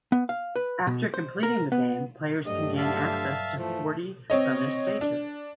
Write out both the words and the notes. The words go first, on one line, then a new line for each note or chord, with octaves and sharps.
After completing the game, players can gain access to forty bonus stages.
B3
F5
B4
B2
C5
A#4
B3
G2 F#3 A3 D4 G4 D#5
D3 E5 F5 A5
E3 F3 A3
C4 C#5 D#5
D4